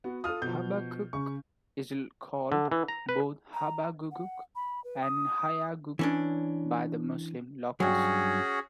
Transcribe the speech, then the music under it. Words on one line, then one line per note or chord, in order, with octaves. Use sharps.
Habakkuk is called both Habaghugh and Hayaghugh by the Muslim locals.
B3 F#4
F4 A4 D#6 F6
B2 F3 G6
C#3 C#6
D3
E3
A#5
B4
A#5
F#5
B5
B4
D#6
E3 C#4 D4
G2 F#3 C#4 F#4 G#4